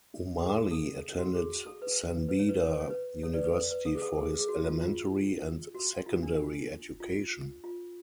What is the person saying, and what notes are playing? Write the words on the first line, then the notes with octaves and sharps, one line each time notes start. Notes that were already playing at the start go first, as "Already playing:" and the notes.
Umali attended San Beda University for his elementary and secondary education.
G#4
A4
F#4
G#4
A4
B4
B4
C#5
B4
C#5
B4
C#5
B4
A4 C#5
B4 D5
B4
B4
B4
A4
G#4
A4
G#4
G#4
F#4
F4
F4
F#4
F4
D4
F4
F4